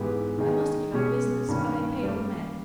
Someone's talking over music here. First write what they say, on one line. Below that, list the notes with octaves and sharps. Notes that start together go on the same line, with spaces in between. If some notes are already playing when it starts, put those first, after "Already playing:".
I must give up business, but I pay all men.
Already playing: G#2 E3 G#3 B3 G4
D#3 G#3 D#4 G#4
B2 G#3 C#4 G4 C#5
G2 D#3 A#3 C#4
G3 A#3 C#4